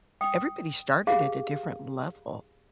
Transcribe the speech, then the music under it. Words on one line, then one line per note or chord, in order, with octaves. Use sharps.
everybody started at a different level
G5 D#6
G4 G#4 F5